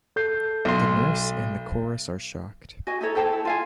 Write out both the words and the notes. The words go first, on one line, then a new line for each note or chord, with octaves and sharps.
The nurse and the chorus are shocked.
A4 G6 C7
B1 C6
F#4 D#5 G#5
D#4 E4 A4 C#5
A4 C5 G5 A5
E4
F4 F5 G#5